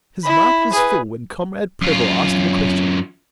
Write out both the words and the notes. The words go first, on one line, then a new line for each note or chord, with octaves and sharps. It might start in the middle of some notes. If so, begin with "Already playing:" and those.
His mouth was full when Comrade Prebble asked him a question.
E4 B5
G#4 B4
F#2 F4